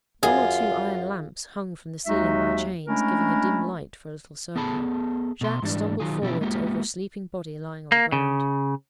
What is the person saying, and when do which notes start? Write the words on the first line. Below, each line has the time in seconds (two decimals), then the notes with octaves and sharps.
One or two iron lamps hung from the ceiling by chains, giving a dim light for a little circle. Jacques stumbled forwards over a sleeping body lying on the ground.
0.23 F#2 F4 G#4
2.06 D#2 F#3 G#3 D#4 F#4 E5
2.87 G#3 A3 C#4 D4 E4 A#4
4.56 B3 G#4 A4 A5 B5
5.41 B2 C6
5.62 G#2 E3 G3 D4
6.00 D#3 F#3 F4 G#4
6.22 B2 D3 F3 C#4 E4 G4
6.41 G#3 A#3 B3 F4 G4
7.92 A#3
8.12 C#3